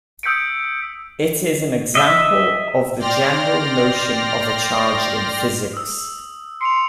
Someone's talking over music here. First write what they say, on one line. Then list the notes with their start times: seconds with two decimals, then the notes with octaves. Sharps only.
It is an example of the general notion of a charge in physics.
0.23 D#6 E6 G6 B6 C#7 D7
1.95 D#5 E5
2.99 D5 G5 C6 F6 A#6
5.73 D#6 E6
6.61 C6 C#7 D7 F7